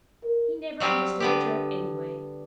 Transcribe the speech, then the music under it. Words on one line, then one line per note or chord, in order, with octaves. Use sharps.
He never understood a joke anyway.
A#4
F#3 G3 C4 G4 F5
D3 B3 G4